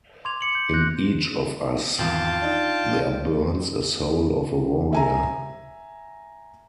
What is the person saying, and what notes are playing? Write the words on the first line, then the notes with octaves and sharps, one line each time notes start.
In each of us there burns a soul of a warrior.
C6 D6 G#6 F7
D6 C#7 F#7
G6
F#6 G6 A#6
G#1 E2 F4 G5 A5
D4 D#4
E5 G#5 A#5